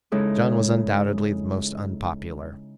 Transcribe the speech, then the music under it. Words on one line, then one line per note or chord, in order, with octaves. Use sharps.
John was undoubtedly the most unpopular.
C#3 G#3 D#4 E4 A4